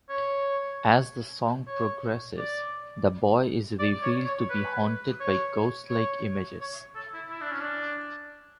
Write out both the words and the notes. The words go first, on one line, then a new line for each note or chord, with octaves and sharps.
As the song progresses, the boy is revealed to be haunted by ghost-like images.
C#5
C#5
D5
D5
C#5
C#5
B4
C#5
C#5
C#5
A4
E4
E4
D4
C#4
D4